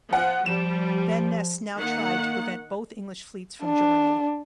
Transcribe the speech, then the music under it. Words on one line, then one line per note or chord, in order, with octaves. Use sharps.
Van Nes now tried to prevent both English fleets from joining.
F3 F#5
F3 G3 E7
D#3 A#3 F#5
D4